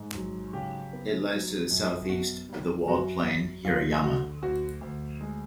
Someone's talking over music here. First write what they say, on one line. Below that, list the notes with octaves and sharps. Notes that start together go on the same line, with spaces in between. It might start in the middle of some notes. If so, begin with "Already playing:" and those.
It lies to the southeast of the walled plain Hirayama.
Already playing: G#2
F#3
C#3 G4
B3
F#3
F#2
B2 F#4
G3
F#2 F#4
F#3
D2 F4
D3 F#4
D2 F#4
D2
G#3